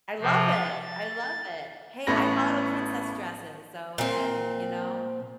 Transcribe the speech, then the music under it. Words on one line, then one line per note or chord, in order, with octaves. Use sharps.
I love it, I love it. Hey, I model princess dresses, so hey. You know?
C3 F3
A6
A1 A3 B3 C#4 B5 A#6
A#2 C4